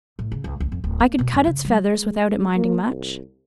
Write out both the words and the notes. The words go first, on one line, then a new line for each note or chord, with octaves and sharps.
I could cut its feathers without it minding much.
A2
C#3
C#2
C#2
F2
D1
A#3
B2
F#2
C#3
G3
G#3
A#3
C2